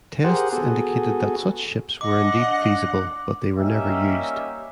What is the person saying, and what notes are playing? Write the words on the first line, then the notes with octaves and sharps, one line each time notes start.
Tests indicated that such ships were indeed feasible, but they were never used.
G4 G#4 A#4 C5 F#5
B3 F#4 G#4 A4
D4 D#5 F#5 D6
G3 A#3 C#4 D#4 G4 E5